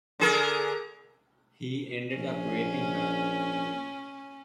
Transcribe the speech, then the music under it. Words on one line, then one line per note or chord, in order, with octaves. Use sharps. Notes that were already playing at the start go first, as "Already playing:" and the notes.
He ended up raping her.
D3 G#4 A#4
A#1 C#4